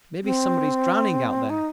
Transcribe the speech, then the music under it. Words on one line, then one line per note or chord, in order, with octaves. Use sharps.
Maybe somebody is drowning out there.
C4
D#4